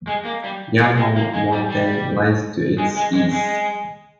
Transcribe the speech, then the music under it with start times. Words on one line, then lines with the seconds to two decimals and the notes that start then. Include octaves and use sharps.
Yunlong Mountain lies to its east.
0.07 G#3
0.25 A#3
0.44 G3
0.80 G#3
0.98 G#3
1.16 A#3
1.34 G#3
1.52 G3
1.70 G3
2.78 G#3
2.96 G#3
3.15 G#3
3.33 G#3